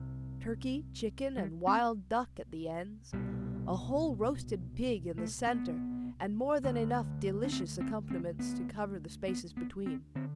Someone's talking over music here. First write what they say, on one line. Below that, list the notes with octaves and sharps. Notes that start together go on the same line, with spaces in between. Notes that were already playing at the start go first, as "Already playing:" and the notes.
Turkey, chicken, and wild duck, at the ends; a whole roasted pig in the centre, and more than enough delicious accompaniments to cover the spaces between.
Already playing: C2 C3
G3
C4
C2 B2 G3
A3
B3
D2 D3
D4
C4
C4
C4
B3
B3
B3
C4
D3 C4